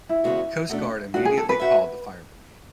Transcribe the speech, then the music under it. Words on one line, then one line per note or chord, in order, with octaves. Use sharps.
The Coastguard immediately called the fire brigade.
E4
E2 C#3 G#3 B3 F#4
B2 A3 D4
B2 A3 D4 F#4
G#4
A4
B4
F#4 C#5 E5